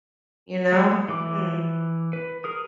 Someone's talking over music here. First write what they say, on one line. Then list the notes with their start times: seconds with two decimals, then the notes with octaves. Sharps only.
you know? Mm.
0.72 F#3 G#3
1.08 E3 D6
2.13 B4
2.44 G#4 A#4 D#6